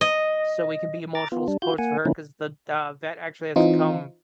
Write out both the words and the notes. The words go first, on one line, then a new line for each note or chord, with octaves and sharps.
so we can be emotional supports for her, 'cause the, uh, vet actually has to come
D#5
A#5 D6 A6
B3 F4
G3 D4
F4 F#4 G6
A#3 F#5 G#5
D3 F3 A#3 C#4 D#4 E4
E3 C4 D#4 F4